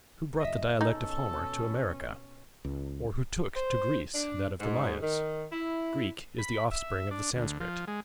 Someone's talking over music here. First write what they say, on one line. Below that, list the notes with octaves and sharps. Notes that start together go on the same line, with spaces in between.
Who brought the dialect of Homer to America? or who took to Greece that of the Mayas? Greek is the offspring of the Sanscrit.
F#1 D#5 E5
B2 C#4 D#4 G#4 A4
C#2
C5
D4
G#2
D#3
E4
B5
E5
D4
D2
F3
G#3